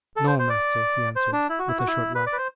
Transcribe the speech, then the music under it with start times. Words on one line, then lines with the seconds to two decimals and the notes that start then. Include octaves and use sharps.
'No, master,' he answered with a short laugh.
0.16 A4
0.27 C5
0.39 C5
0.50 D5
1.16 C5
1.32 D4
1.49 E4
1.59 F#4
1.68 E4
1.78 F#4
1.88 E4
2.15 B4
2.27 D5
2.33 B4
2.38 C5